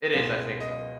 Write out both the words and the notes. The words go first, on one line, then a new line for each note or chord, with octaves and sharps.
It is, I think so, yeah.
C#2 B2 G#3 B3
D#5